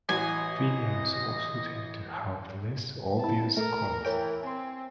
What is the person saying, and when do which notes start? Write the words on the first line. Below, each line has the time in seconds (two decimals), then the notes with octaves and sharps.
Females also tend to have less obvious combs.
0.09 A1 F#4 D#5 G#5
3.19 C4 E4 A5
3.57 A3 A#4
4.05 E3 A#4 C#5 G5
4.43 C4 G#5 C6